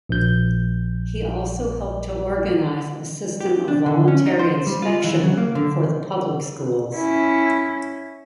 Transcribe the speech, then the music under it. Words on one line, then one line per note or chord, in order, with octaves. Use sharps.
He also helped to organise a system of voluntary inspection for the public schools.
A#1 G6
G4
D4
D3
C#4
D#4
C5
G3
F4
E3
F#3
A#3
D3
C#4 E4